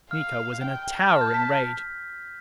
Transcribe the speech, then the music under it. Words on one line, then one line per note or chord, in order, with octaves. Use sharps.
Miko was in a towering rage.
F5 F6
G5
A5 F6
G6
B6